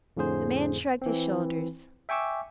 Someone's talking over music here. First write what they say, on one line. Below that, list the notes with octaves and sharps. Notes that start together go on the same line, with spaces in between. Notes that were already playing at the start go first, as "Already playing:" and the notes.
The man shrugged his shoulders.
F2 A2 D3 G#4 C5
E3 C4
E5 G5 G#5 C#6 D6 E6